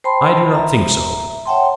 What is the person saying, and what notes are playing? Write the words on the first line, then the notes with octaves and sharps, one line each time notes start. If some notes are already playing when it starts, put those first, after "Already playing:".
I do not think so.
C5 G5 A5 B5 C6
E5 A#5
C#5 E5 F#5 G5 A5 C6